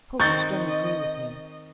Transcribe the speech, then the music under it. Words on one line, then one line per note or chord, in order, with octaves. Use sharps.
Pokers don't agree with me.
D#3 C4 D#5 C#6 G6 A6